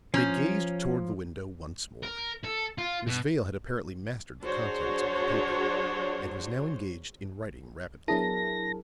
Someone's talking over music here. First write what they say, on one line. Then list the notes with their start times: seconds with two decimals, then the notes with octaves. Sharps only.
They gazed toward the window once more, Miss Vale had apparently mastered the contents of the paper, and was now engaged in writing rapidly.
0.14 F3 C#4 A#5 G6
2.03 A#4
2.44 A4
2.78 F4
3.07 B2
4.44 F#3 D4 F#4 G#4 C5 C#5
8.08 F#3 B3 D4 E4 G#4 A#4 A5 A#6